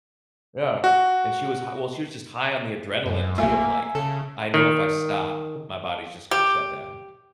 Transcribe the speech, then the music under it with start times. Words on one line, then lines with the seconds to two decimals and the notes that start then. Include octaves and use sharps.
Yeah, and she was hi well, she was just high on the adrenaline too, of, like, "I know if I stop, my body's just gonna shut down."
0.84 F#4
3.06 F#2
3.38 B1 A3 A#3 F4 E5 G#5
3.95 C#3 A4
4.54 D#3
6.31 G4